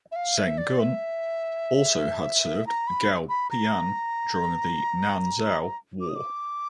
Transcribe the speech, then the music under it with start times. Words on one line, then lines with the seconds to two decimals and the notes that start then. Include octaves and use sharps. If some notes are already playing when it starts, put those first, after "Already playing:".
Zeng Gun also had served Gao Pian during the Nanzhao war.
0.12 E5
0.16 F5
0.37 E5
0.58 D5
0.79 E5
2.67 A#5
2.87 B5
3.29 B5
3.50 A#5
6.01 D6
6.09 D#6
6.15 D6